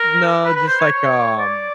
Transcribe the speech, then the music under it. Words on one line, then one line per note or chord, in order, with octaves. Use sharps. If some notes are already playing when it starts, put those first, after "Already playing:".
No, just like, um,
Already playing: A#4
B4
B4
C5
C#5
C#5
D5